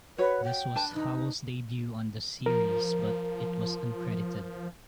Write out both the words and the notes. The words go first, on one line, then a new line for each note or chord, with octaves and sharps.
This was Howell's debut on the series but it was uncredited.
F#4 B4 C#5
G5
D4 B4 A5
D#4
F3 A#4